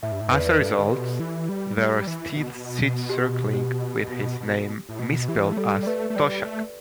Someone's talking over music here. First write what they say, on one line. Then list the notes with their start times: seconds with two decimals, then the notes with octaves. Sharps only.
As a result, there are still sheets circulating with his name mis-spelt as "Toshak".
0.03 A2 E5
0.12 G2
0.21 A2
0.27 G2
0.32 E2 B4
0.40 D5
0.47 B4
0.61 G2 A4
0.79 D3
0.90 B2 G4
1.20 E3
1.49 G3
1.78 G3
2.07 E3
2.37 B2
3.09 G4
3.53 G4
4.41 B2
4.89 A2
4.99 B2
5.28 E3 G4
5.52 A3
5.57 G3 A4
5.83 D5
5.87 A3 B4
6.10 A3
6.16 G3 D5
6.45 A3